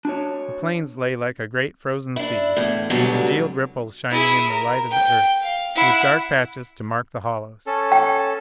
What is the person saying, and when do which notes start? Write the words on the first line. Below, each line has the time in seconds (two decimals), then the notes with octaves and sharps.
The plains lay Like a great frozen sea, congealed ripples shining in the light of the Earth, with dark patches to mark the hollows.
0.05 D4 F#4 C#5
2.16 D4 E4
2.57 E2 A2
2.90 G#2 B2 D3 F#3 G3 D4
4.11 E4 G#4
4.47 A#4
4.92 G5
5.41 F5
5.76 E4 F#5
7.67 C#4 A4
7.92 G5